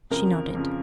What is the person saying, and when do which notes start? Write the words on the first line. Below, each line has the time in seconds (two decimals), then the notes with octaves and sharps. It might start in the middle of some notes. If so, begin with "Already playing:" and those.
She nodded.
0.10 F2 C#3 F3 A#4
0.55 F2 C#3 F3